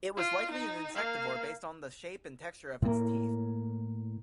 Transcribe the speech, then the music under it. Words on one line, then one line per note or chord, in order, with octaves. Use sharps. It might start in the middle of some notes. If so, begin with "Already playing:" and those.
It was likely an insectivore based on the shape and texture of its teeth.
F4
D#4
A#3 F5
A2 A#3